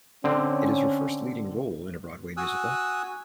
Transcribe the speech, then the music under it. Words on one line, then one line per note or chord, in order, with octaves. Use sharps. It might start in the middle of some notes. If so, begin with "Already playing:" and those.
It is her first leading role in a Broadway musical.
D3 C4 C#4
F#4 G#5 D#6 E6 F#6